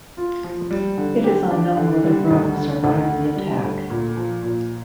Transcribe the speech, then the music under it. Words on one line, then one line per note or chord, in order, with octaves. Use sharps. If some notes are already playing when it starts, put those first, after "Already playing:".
It is unknown whether Rowe survived the attack.
F4
F3
G3
D3
G4
D4
D3
G3
D2
D3
D2
D3
G3
D2
A#2
F3
A#2